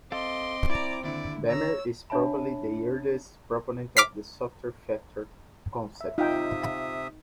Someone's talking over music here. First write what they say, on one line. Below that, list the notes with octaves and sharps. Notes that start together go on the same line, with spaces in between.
Bemer is probably the earliest proponent of the Software Factory concept.
C4 A4 D#5 F5 C6 D6
E4 D5 A#5 D6
D#2 D3 E4 D5
C#5 A#5 E6
D4 C#5 E5 A5 B5
D6 F6 B6 C7
E5
C3 D#4 F4 E5 F5 G5 D#6